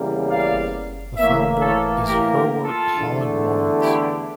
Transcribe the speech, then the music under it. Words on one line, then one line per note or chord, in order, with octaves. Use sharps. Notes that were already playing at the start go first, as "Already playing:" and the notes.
The founder is Herwart Holland Moritz.
Already playing: E2 C#3 G3 A#3
D5 F5
A2 E3 A#3 C#5 E5
A4 C#5
G4 A#4
G4 A#4
F4 A4
E2 D3 A3
E4 G4